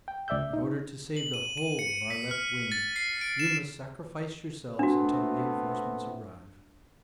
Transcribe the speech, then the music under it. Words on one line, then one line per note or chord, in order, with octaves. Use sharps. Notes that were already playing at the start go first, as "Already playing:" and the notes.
In order to save the whole of our left wing you must sacrifice yourselves until reinforcements arrive.
G5
C#2 D5 E5 E6 G6
D#4
F#7
D#7
D#7
C#7
B6
F6
A6
C7
D7
E7
A3 B3 C4 D4 F#4